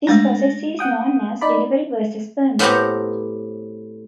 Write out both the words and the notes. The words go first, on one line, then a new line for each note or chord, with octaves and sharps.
This process is known as delivery versus payment.
G#3 A3 D4 A6 A#6
F#5 G5 D#6
D#4 D5 B5
A2 A3 B3 C4 G4 A#5